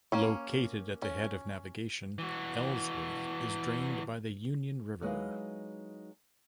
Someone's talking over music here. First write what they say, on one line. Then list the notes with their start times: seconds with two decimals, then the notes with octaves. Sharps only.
Located at the head of navigation, Ellsworth is drained by the Union River.
0.12 A#3 C#4 C#5
1.02 C#4
2.19 E3 F#4
5.02 F#3 G#3 D#4 E4 B4 F5